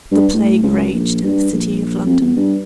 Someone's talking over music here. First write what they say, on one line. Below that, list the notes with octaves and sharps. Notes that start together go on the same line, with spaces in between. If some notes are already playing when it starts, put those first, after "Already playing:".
The plague raged in the city of London.
G2
A2
C#2
A#1
G2
A#1
F2
E2
G2